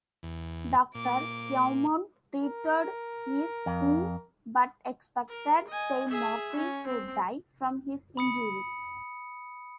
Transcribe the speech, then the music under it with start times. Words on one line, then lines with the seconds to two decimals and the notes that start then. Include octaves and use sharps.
Doctor Beaumont treated his wound, but expected Saint Martin to die from his injuries.
0.23 E2
0.95 A#2 D6
2.43 A#4
3.66 F2
5.29 A#4
5.68 D#5 G#5
6.09 G#4 E5
6.56 C#4
6.87 C4
8.17 B5 D#6 C#7